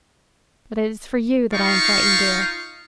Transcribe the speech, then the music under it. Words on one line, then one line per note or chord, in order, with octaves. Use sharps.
But it is for you that I am frightened, dear.
D#4 F4 F5 C#6